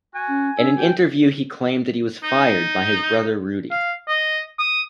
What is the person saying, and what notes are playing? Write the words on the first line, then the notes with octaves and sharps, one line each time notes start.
In an interview he claimed that he was fired by his brother Rudy.
F#4 G#5
C#4
D4 E5
F#4 G5
D#4
F5
D#5
D#6